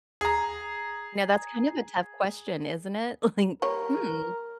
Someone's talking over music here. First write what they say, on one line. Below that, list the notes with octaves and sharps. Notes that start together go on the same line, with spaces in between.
Now that's kind of a tough question, isn't it? Like, hmm
G#4 A#5
G3 A#3 A#4 C#5